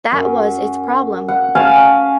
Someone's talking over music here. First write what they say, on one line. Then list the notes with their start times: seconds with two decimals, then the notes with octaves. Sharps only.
That was its problem.
0.12 F#2
1.28 F#5
1.55 C#4 F5 G#5 A5